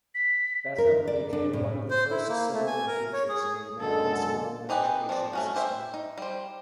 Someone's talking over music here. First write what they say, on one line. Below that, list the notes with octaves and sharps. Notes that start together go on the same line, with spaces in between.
Betham became one of the first Samoan teachers in the American Samoan educational system.
B6
A#4
D5
D4
A2
C5
E4
A#3
A3
G#5
A#4
C#5
G#4
F#2 D3 G#3 A4
C4 D#4 G4 G#4 B4
F3 C4 D5
A3 C#4 F#4
E4 G4 C5 E5
D#4
G3 C5